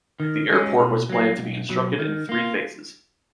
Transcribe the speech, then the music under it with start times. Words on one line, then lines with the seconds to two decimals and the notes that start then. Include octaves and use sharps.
The airport was planned to be constructed in three phases.
0.20 D#3
0.50 G#3 C#4
0.79 B2
1.10 F#3 A#3
1.39 B1
1.69 B2 F#3
1.99 D#3
2.29 A#3 F4